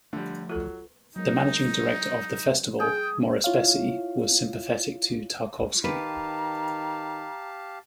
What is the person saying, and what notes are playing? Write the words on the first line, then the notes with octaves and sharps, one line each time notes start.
The managing director of the festival, Maurice Bessy, was sympathetic to Tarkovsky.
D3 F3 G3 A3
F#3 F4 A4
F#3 G#3 A#3 D#4
G#4 G5
E4 F4 C#5 F5
D#3 G4 B4 F5 A5 A#5